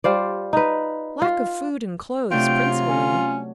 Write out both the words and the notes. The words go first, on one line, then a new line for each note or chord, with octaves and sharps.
"Lack of food and clothes principally."
G3 F4 C5 D5
D#4 B4
F4
C3 F#3 A3 D4 F4 G5
C#4